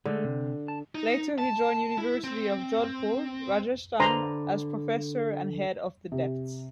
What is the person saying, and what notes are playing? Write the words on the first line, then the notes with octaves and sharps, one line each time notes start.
Later he joined University of Jodhpur, Rajasthan as Professor and Head of the Deptt.
D3 G#3 A3
C3
A5
D#4
A5
E4
C4
D3 B4 C5 A#5 C6
C3